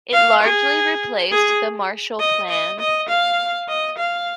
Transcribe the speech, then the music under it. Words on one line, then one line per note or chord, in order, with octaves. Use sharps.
It largely replaced the Marshall Plan.
F5
G#4
G#4
D#5
D#5
D#5
F5
D#5
F5